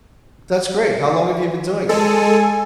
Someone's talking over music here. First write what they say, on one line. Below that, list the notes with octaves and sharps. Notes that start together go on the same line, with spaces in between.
That's great, how long have you been doing it?
G#3 A4 G#5